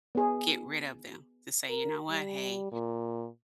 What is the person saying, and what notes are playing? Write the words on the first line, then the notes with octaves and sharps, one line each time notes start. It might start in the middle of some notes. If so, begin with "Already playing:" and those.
get rid of them, to say, "You know what, hey,
B3 G#4
A#4
G3
A#2